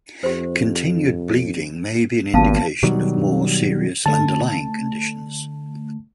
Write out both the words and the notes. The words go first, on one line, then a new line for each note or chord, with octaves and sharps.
Continued bleeding may be an indication of more serious underlying conditions.
F2 G4 C5
G#1 C#2 G2 A#3 B3 F5 A5
B2 D#3 F#3 G3
D3 A3 A5